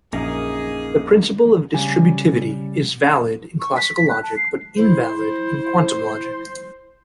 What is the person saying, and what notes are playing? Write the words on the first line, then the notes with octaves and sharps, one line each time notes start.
The principle of distributivity is valid in classical logic, but invalid in quantum logic.
A#1 F#2 A#3 D#4 G#4 A#4
C#3 G3 G#5
C#6
B6
B6
F#6
A5
C7
E4 C5